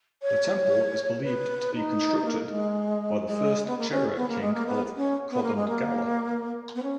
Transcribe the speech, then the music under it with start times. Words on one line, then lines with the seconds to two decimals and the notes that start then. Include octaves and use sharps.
The temple is believed to be constructed by the first Chera king of Kodungallur.
0.22 C#5
1.23 B4
1.74 D#4
2.25 A#3
2.51 G#3
3.26 G#3
3.67 B3
3.78 A#3
3.90 C#4
4.16 B3
4.28 A#3
4.41 G#3
4.53 A#3
4.66 B3
4.96 C#4
5.30 B3
5.43 A#3
5.55 G#3
5.68 A#3
6.75 B3
6.83 C#4